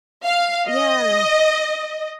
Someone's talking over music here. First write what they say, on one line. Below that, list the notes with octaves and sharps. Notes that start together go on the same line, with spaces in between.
Oh, yeah.
F5
D#5